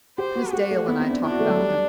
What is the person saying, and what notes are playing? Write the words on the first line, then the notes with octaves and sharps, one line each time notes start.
Miss Dale and I talk about him.
G4 C5
F#4
F#4 G4
A3
B3 E4
C4
D4
D4 E4
F#4
A3
F#3
G3